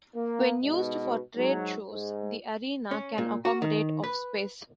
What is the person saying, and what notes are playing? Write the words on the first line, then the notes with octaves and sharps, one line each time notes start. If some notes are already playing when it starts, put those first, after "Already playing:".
When used for trade shows the arena can accommodate of space.
A#3
G#2 B2
G#2 F#3
G#2
C#4
A#2
F#4
D#3
B4